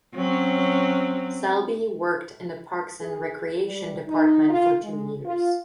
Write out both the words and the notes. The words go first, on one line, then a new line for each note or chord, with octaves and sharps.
Selby worked in the parks and recreation department for two years.
F#3 C4 C#4
G#4
G3
D#4
F4
G#3
F4